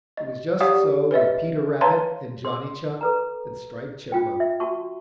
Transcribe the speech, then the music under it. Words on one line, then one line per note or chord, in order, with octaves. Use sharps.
It was just so with Peter Rabbit and Johnny Chuck and Striped Chipmunk.
D#5
G4 C#5 D5 F5 F#5 D#6
B4 C#5 D#5 E5
B4 C#5 F5 A5 A#5 C6
C6
A4 B4 A#5
C#4 F4 G5
E5
F#4 A5 C#6